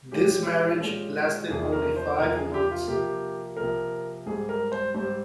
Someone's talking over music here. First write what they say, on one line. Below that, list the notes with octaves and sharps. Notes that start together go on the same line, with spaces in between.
This marriage lasted only five months.
A#2 G#3 C#4 G4
A#2 G#3 C#4
E2 C3 F3 A#3 G#4
A#4
C5
E2 C3 F3 A#3 A#4
G#4
G4
F4
C3 F3 A#3 G4
C3 F3 A#3 A#4
G#2 G3 C4 G#4
A#4
C5
G#2 G3 C4 C5